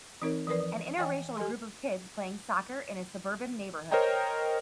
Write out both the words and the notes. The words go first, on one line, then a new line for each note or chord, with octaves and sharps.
An inter racial group of kids playing soccer in a suburban neighborhood.
E3 C4 D#4 A#4 C#5
E3 F3 A#4 B4 D5
F3
E3 C#5 D#5 G5 G#5 C#6
G4 A4 D#5 G#5 C6
A#4 C5 C#5 D#5 G5 A#5